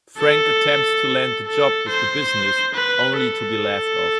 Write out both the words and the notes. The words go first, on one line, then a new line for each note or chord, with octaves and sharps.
Frank attempts to land a job with the business, only to be laughed off.
A4
A4
C5
B4
A4